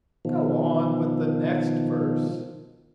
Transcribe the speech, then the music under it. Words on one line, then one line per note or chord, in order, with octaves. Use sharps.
'Go on with the next verse.'
B2 D#3 F3